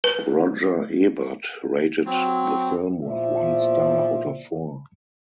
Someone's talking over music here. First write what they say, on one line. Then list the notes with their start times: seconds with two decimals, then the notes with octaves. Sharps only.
Roger Ebert rated the film with one star out of four.
0.04 B4
2.06 F#3 C4
3.02 E2 A#2 F3 C5 D5 E5